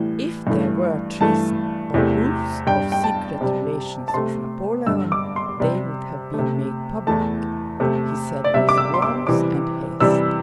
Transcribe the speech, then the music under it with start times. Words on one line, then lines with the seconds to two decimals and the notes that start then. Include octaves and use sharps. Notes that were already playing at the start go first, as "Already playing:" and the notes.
"If there were treason, or proofs of secret relations with Napoleon, they would have been made public," he said with warmth and haste.
Already playing: A2 E3 G3
0.47 G2 E3 A3
1.21 G2 E3 A3 A5
1.94 E2 C3 A3
2.67 G2 G3 G5
2.92 G5
3.04 A5
3.41 C3 G3
4.08 A5
4.14 C3 A3 C6
4.87 G2 D3 G3 E6
5.12 D6
5.36 C6
5.60 C3 G3
6.34 C3 A3
7.07 E2 E3 A3 A5
7.80 C3 A3
8.44 D5
8.54 C3 G3 E5
8.69 D6
8.78 E6
8.94 C6
9.02 D6
9.27 C3 E3 G3 D6
10.00 C3 E3 G3 E6